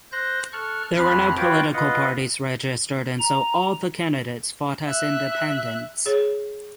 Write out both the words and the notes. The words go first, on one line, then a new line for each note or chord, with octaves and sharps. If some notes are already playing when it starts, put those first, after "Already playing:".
There were no political parties registered and so all the candidates fought as Independents.
C5 F#6 G6 A#6
A4 C#6 F6 F#6
F2 F3 B5 F6 F#6
F4 F#4 B4 C#5 G5 D6
F4 B4 D#5 F#5
A#5
E5 F#6
G#4 C#5